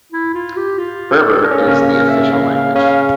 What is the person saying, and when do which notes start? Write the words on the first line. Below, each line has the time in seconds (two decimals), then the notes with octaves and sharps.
Berber is the official language.
0.12 E4
0.35 F4
0.57 G4
0.78 F4
1.12 A4
1.44 D4 A#4
1.51 C#4
1.59 A#3
1.66 C#3 C#4 A#4
1.88 A#4
2.10 E5
2.31 F5
2.54 F5
2.75 C#3 C#4 F5